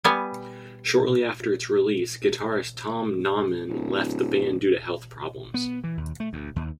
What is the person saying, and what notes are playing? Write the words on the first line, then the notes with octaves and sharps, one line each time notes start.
Shortly after its release guitarist Tom Naumann left the band due to health problems.
G3 B3 G#5
D1
B3
E3
D#2
A3
D2
D#2